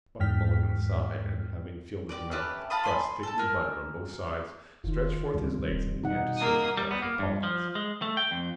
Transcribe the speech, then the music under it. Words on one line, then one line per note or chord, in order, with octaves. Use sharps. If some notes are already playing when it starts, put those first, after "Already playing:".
Buck Mulligan sighed and, having filled his mouth with a crust thickly buttered on both sides, stretched forth his legs and began to search his trouser pockets.
E2 G#2 G5 F6 B6
G4 B4 D5 D6
A3 C#4 G4 B4
F4 A5 B5 D#6
G#5 B5 C6
A4 A5
A#4 G#5 E6
F1 D#3 F4
C#2 C3 G3
D1
B2 D#4 F#5
A#3 D#6
G3
B3
A#3
G2
F3
G#3
A3
G5
F2